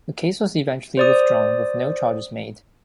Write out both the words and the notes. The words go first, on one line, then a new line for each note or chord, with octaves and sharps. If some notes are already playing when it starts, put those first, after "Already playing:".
The case was eventually withdrawn with no charges made.
C5 D5 D#6